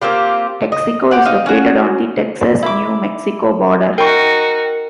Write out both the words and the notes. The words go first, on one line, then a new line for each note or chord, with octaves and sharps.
Texico is located on the Texas-New Mexico border.
A#3 C4 F4 G4
D#5
G4 F#5
D#4 F5
C#4 F#4
E4 D6
D#4 F#4 A#4 G5 C#6